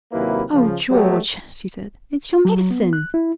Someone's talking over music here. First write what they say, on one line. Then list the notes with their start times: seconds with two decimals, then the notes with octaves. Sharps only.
"O George," she said, "it's your medicine!"
0.12 D#2 C3 F#3 A#3 E4 B4
0.52 C#3 F3
0.90 F#3 G#3 A3 B3 G4
2.45 F#3
2.71 B3
2.93 F#6
3.14 E4